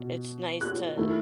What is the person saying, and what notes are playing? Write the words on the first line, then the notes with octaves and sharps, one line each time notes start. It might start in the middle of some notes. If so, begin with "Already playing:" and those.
It's nice to
Already playing: B2
F#6
D#3 A3 E4